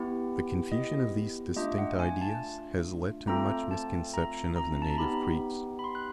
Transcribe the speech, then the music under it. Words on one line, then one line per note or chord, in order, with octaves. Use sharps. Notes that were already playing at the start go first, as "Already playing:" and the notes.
The confusion of these distinct ideas has led to much misconception of the native creeds.
Already playing: B3 E4 G4
D#5
A3 D4 F4 D#5
F#5
G#5
A5
A3 C4 F4 A4 A#5
A5
A#5
A#5
A5
A#5
B3 D#4 G4 B5
B5
C6
F#6